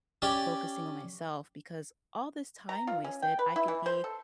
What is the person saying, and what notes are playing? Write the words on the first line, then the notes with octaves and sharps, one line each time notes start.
focusing on myself, because all this time wasted, I could be,
C#4 G4 D5
A#5
F4
C#4
G5
B4
E4
E3
C5
A4